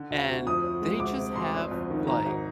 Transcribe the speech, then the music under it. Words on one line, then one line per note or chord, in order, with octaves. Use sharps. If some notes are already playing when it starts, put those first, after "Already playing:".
and they just have like,
Already playing: D3
D2
D2
F2 D#6
F2
G#3
D2 D6
C3
D2 C6
G1
F2
D#3
G#1 A#5
G#1